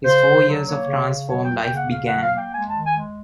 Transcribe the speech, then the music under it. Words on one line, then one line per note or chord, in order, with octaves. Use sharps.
His four years of "transform" life began.
C#3 C5
C#3
F#3
A#3 C#5
C#3
C#3
F#3 C#5
G5
A#3
G5
C#3
F#5
C#3 F5
F#5
F#3
F5
A#3
G5
G#3 G#5
A5
D#3
G#5
G#3